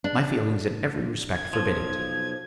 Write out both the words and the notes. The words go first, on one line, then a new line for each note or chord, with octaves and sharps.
My feelings in every respect forbid it.
D4
G#6
B1 F3